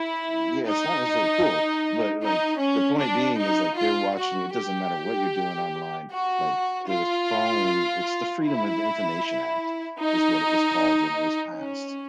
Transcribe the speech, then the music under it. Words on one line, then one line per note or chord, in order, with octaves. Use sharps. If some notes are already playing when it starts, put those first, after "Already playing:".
yeah, it's not necessarily cool, but like, the point being is, like, they're watching you, it doesn't matter what you're doing online, like, the phone it's the Freedom of Information Act is what it was called when it was passed,
Already playing: E4
D#4
D#4
C#4
D4
D#4
F4
F#4
G4
F#4
F4
E4
D#4
C#4